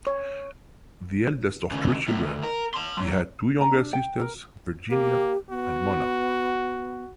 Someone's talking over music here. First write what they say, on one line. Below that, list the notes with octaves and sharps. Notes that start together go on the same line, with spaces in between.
The eldest of three children, he had two younger sisters-Virginia and Mona.
C#5
D#2 C#3
C2 A2
D2
A#4
A5 C6
F#3
A#5
D4
G5
A#4
A#3 G4
B3 F#4